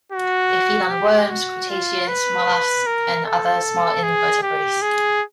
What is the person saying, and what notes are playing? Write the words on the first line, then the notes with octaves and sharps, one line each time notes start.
They feed on worms, crustaceans, molluscs and other small invertebrates.
F#4
G4
F#4
F4
B4
A#4
A4
G#4
G4
G#4